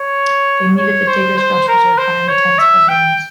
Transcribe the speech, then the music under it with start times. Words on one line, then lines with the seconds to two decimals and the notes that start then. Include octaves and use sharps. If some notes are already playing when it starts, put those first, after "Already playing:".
They meet at the Diggers Rest Reserve behind the tennis club rooms.
Already playing: C#5
0.77 C#5
1.07 C5
1.38 C5
1.68 A#4
1.98 C5
2.28 C#5
2.58 E5
2.88 G5